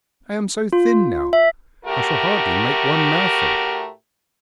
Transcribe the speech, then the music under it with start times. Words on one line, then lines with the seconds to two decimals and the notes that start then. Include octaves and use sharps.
I am so thin now, I shall hardly make one mouthful.
0.73 F4
1.33 E5
1.84 A2 A3 F#4 G4 A#4